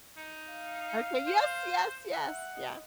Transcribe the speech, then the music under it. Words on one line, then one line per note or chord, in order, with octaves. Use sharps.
Okay yes! Yes, yes, yeah.
D#4
F5
C5
E5 F#5
D#5